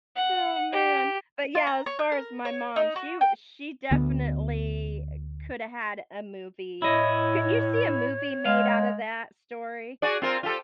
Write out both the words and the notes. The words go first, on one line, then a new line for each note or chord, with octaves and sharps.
Oh, man. But, yeah, as far as my mom, she w she definitely coulda had a movie. Can you see a movie made out of that story?
F#5
G4
F4
A#5
C#5
G6
A#4
C#5
D#4
F#4
G5
D2 D3 B3
A2 E4 C#5 D#5
G#3 F5
F#4 G#4 D5
C4 F4 A#4
F4 G4 A4